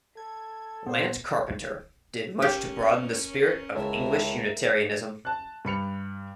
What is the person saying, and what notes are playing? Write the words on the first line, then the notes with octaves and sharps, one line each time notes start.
Lant Carpenter did much to broaden the spirit of English Unitarianism.
A4 G#6
A#2 B3 C5
C#4 G4 A#4
C#2 A2 A#4 E5
A5 F#6
G2 B5 C#7 F7